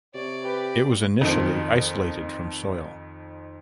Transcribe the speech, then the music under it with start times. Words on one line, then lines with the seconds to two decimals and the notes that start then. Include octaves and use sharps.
It was initially isolated from soil.
0.14 C3 C#5 D5
0.44 G4 B4
1.21 F2 D#3 F3